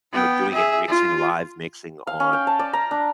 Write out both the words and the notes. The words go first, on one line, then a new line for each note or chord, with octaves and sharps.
you know, doing it, mixing live mixing on,
B3 G5
G#4 E5
F4
F5
C#4
G5
A5
D5
A#5
D4